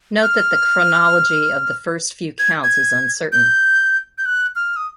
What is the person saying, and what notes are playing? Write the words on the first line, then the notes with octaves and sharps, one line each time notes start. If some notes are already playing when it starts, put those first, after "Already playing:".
Note that the chronology of the first few counts is uncertain.
F6
G#6
G#6
G6
G6
F#6
F6
D#6